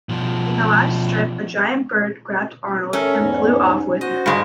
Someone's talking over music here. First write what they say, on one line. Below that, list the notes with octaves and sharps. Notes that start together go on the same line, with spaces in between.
In the last strip, a giant bird grabbed Arnold and flew off with him.
B2 F3
C#4 A4 A#4 E5
E2 G#2
F#4 C5 D#5
G2 G#3